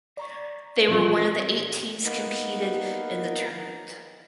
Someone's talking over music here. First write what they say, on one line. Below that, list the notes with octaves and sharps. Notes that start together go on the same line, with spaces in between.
They were one of the eight teams competed in the tournament.
D5 A#5 C#6
A#2 E3 F3 G3 C4 F4
A#3 B3 D#4 A#4 B4